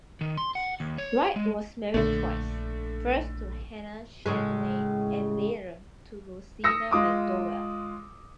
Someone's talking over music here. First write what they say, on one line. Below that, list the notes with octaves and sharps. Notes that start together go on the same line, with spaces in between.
Wright was married twice: first to Hannah Chamberlain and later to Rosina McDowell.
D#3
C6
F#5
D#2
C#5
G#3
A#1 D3 A3
A2 C#3 G#3
D#6 E6 A#6 C#7
G#3 F4 D6 D#6